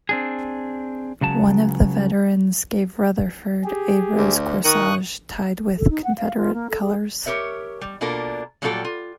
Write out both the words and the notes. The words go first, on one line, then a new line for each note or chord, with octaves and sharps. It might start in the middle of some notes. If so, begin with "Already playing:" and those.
One of the veterans gave Rutherford a rose corsage tied with Confederate colors.
C4 D4 G#4
C#2 C#3 F#3 A5
G4 G#4
D2
D#3 C#6 D#6 F#6
A4
D#4
F#5
F5
F4
A#3
A4
G#4
G4 A#4 C#5 E5
G3
B2 A#3 D4 F4 A4 A#4
A#2 F#3 G3 F4 A4 G5
F4